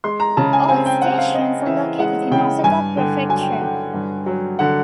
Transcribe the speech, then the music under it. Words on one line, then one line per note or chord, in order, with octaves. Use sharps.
All stations are located in Osaka Prefecture.
G#3 C6
A#5
C#3 A5
G#5
C4 G#5
G5
C4 F#5
F5
C4 D#5
E3 E5
G#3 F#5
C#3 G5
G2 G#5
D3 G5
F#3 G#5
G5
F#5
D3 G5
G2
F#3
D3 F#5